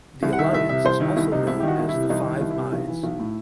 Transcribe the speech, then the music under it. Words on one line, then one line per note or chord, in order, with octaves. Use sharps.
The alliance is also known as the Five Eyes.
C2
F#5
D#3 E5
C2 E5
C3 E5
C2 C5
D#3 E4
C2 E4
C3 D#4
C2 E4
D#3 G4
F#4
C2
E4
C3
C2 D#4
D#3
C2
E4
C3
B1
E3
B1
A2